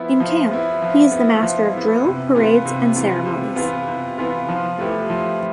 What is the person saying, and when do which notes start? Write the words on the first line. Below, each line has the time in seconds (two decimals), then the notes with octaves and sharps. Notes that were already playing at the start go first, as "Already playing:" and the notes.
In camp, he is the master of drill, parades and ceremonies.
Already playing: F3 B3 E4
0.20 F3
0.51 B3 E4
0.82 F3
1.12 B3 E4
1.43 F3
1.73 B3 E4
2.04 C3
2.35 E3 B3 F4
2.65 C3
2.96 E3 B3 F4
3.25 C3
3.56 E3 B3 F4
3.87 C3
4.18 E3 B3 F4
4.48 F3
4.78 A3 E4 G4 B4
5.10 F3